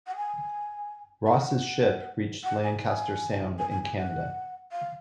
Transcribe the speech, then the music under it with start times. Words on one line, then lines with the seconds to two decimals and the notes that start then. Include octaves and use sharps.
Ross's ship reached Lancaster Sound in Canada.
0.07 F#5
0.16 G#5
1.26 G#5
1.31 F#5
2.44 F#5
2.64 G#5
2.83 G#5
3.59 G#5
3.71 G#5
3.84 G#5
3.97 F#5
4.72 F5